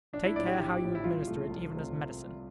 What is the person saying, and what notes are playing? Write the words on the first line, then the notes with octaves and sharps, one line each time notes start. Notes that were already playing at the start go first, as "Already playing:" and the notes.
Take care how you administer it even as medicine.
A#1 D4
E4
A2 F3 D5
G4
A#1 G4
A2 F3
E4
C2 F4
C3 F3 A3
C2
C3 F3 A3